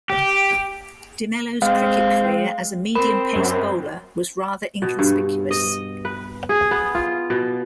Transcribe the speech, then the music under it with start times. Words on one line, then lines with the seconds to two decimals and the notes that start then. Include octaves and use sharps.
De Mello's cricket career as a medium pace bowler was rather inconspicuous.
0.10 G4
1.62 G#3 C4 F5
2.95 C4 A#4 B5
3.36 F#2
4.82 B2
4.99 G2
5.51 D#5
6.05 B4
6.49 G#4
6.71 B3
6.95 F4
7.30 B2